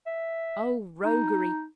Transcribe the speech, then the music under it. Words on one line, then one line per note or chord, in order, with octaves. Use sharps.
Oh roguery!
E5
D#4